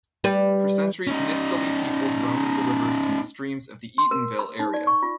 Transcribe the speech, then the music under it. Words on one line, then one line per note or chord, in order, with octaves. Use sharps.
For centuries, Nisqually people roamed the rivers and streams of the Eatonville area.
G3 B4
C#4 D#4
C6
A#4
B5
D#4
D5
C#6
F4